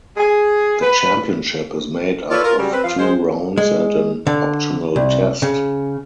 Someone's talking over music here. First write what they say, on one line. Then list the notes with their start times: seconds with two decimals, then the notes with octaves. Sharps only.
The championship is made up of two rounds and an optional test.
0.16 G#4
0.81 B4
2.30 F4 A4 B4 C#5 D5
2.44 F4 A#4
2.59 C#3 F#3 G3
2.73 C4 B4
2.84 F3 F5
2.98 G#3 C5
3.58 G#3
4.27 D3
4.96 C2
5.42 C#3